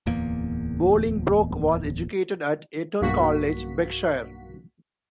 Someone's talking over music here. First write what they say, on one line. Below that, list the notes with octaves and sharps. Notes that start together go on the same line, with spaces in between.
Bolingbroke was educated at Eton College, Berkshire.
D1 E2 A#3
B1 G2 A#3 F#4 B6